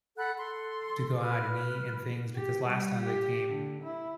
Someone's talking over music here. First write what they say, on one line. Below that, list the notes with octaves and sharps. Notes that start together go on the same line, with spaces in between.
to go out and eat and things because last time they came,
A4 F#5 B5 F#6
A4 C6
B4 F6
G4
G3
G4
D3
E4